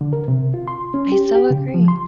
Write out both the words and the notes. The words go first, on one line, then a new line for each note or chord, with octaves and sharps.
I so agree.
D3
A#4
C3
F4
C6
C#4
G4
G4
C#3
F3
C6